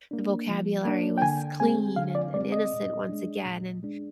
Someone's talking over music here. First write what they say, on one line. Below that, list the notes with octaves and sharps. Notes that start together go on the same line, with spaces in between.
the vocabulary was clean, and and innocent once again, and,
A#3 D4
F3
A#3 D4
G5
D3 G#5
G#3 C4 G#5
D3 F5
D5
G#3 C4 D5
D#5
A#2
G#3 D4
A#2
G#3 D4